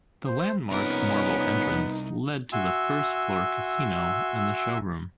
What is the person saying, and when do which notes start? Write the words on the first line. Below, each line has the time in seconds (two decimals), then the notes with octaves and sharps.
The Landmark's marble entrance led to the first-floor casino and the showroom.
0.24 C5
0.70 C2 F2 G#2 B3 C#4 D#4 A#4
2.53 F#4 E5 G#5 C6 E6